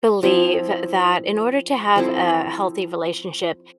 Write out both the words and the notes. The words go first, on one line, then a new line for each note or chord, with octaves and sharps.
believe, that in order to have a healthy relationship,
F3 C4 E4
F3 C4 E4 A4